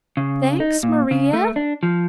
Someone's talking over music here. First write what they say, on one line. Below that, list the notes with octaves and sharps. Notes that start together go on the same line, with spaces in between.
"Thanks, Maria."
C#3
D#4
A#2
C#3
A3
D4
F3